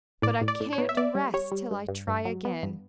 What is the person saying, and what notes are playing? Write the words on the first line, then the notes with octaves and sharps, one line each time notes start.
"But I can't rest till I try again."
A2 D5
A2
D5
A2
C#5
B3
E5
B3 D5
G3
G3 C#5
G3
G2
G2
G2
F#3
B3
G2